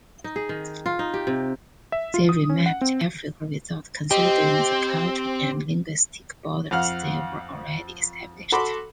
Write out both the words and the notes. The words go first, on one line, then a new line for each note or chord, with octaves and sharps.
They remapped Africa without considering the cultural and linguistic borders that were already established.
D#4
G#4
D#3
F4
D#4
G4
C3
E5
F4
D#6
C#4
F#5
C4
C4 G4 D#5
F2 F5 F#5 F6
F#4 A4 B5 C6 D6